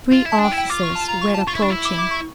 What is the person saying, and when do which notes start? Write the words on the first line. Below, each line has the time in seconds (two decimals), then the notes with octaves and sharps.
Three officers were approaching.
0.12 F4
0.25 E4
0.32 A5
0.39 D4
0.44 G5
0.51 E4
0.58 G5
0.70 F4 D6
0.83 C#6
0.95 A5
1.08 A#5
1.22 C#6
1.34 A5
1.47 F4 C#6
1.55 E4
1.62 D4
1.70 E4
1.85 D6
1.98 D6
2.11 C#6